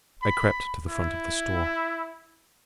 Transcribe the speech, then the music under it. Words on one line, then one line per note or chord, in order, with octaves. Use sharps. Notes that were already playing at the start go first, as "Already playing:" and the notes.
I crept to the front of the store.
B5
E4